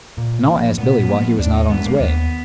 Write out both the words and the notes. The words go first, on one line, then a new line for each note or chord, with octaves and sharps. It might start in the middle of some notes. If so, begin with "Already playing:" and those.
And all asked Billy why he was not on his way.
A#2
F3 A#3
A#2 B3
F3 A#3
D#2 D4
D#4
D#3 G#3 B3 D4
A#3
D#2 B3